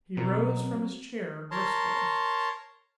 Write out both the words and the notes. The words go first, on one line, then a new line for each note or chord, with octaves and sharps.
He rose from his chair brusquely.
B2 F#3 C4 A#4
A#4 C#5 A5 A#5 C6